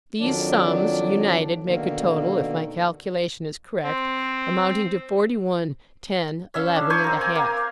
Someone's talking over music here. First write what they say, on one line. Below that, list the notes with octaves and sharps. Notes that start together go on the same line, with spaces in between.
These sums, united, make a total, if my calculation is correct, amounting to forty-one, ten, eleven and a half.
F2 D#3 F#3 D4 D5
B2 D3 D#3 A#3
C4
C#4 E5 F5
D4
C5 G#5 C#6 D6
C4 A#4
G#5
A#3